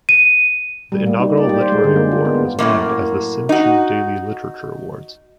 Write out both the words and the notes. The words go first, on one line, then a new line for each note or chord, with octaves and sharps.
The inaugural literary award was named as the Sin Chew Daily Literature Awards.
D#7
G3
A#3
D#4
D5
G4
C5
G#3
D3
A#3
F4
B3
F#2 A2 C3 A#3
D#4 F#4